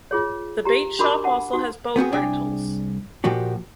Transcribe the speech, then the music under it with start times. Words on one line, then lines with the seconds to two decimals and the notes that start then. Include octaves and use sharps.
The bait shop also has boat rentals.
0.11 F4 G#4 C#5
0.65 G4 A#5
0.99 D4 F#4 A#4 B5 D6
1.24 F#5 A5
1.53 D#4 F#4
1.96 B3 C4 F#4 G#4
2.12 C2 D4 G#4 G5 G#5
3.24 A#2 F3 A#3 F#4 G4